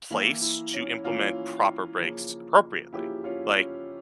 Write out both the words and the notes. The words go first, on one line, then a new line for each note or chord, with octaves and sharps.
place to implement proper breaks appropriately. Like,
E3 A#3 E4
E4
C#4
E3 A#3 C#4 F4
C#3 F3 A#3
C#3 F3 A#3 E4 G4
C#4 F4
C#4